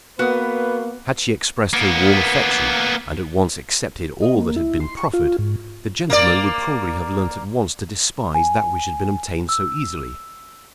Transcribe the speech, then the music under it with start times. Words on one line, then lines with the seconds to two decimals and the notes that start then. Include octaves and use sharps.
Had she expressed her warm affection, and at once accepted all that had been proffered, the gentleman would probably have learnt at once to despise that which had been obtained so easily.
0.19 A#3 B3 F#4 B4 D#6
1.73 A#3 B3
4.22 D#5
4.36 A#3
4.56 E4
4.80 C6
4.97 C#6
5.14 F4
5.38 G#2
6.10 A#3 D5
8.34 G#5
9.49 E6